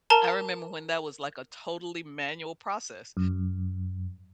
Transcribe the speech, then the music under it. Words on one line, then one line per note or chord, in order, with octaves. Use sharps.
I remember when that was like a totally manual process.
A#4 A5 A#5
F#2